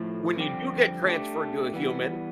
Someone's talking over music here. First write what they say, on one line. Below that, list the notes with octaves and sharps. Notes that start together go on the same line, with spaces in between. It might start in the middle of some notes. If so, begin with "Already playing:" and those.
when you do get transferred to a human
Already playing: A2 F3 A3
F2 D3 G3 C4 G4
A3 D4 G4
E3 G3 B3